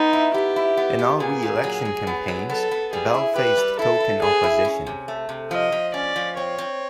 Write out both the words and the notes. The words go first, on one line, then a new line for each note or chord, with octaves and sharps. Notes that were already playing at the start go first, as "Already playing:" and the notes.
In all re-election campaigns, Bell faced token opposition.
Already playing: B3 D#4
E4
B3 G4
E4
B3
B3
A#2 G#4
A#2
F#3
F#3
B3
F#3
B3 A4
B3
G3 G#4
E4
G4 B4
G3
E4 A4
E4
B3 G#4
E4
C#4
C3
A3
C3
F3 D#5
F3
C#4 D5
F3
C4 C#5
C4